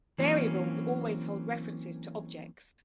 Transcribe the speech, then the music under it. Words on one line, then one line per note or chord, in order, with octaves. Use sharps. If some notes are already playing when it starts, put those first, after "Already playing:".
Variables always hold references to objects.
E3 F#3 A#3 C4 C#4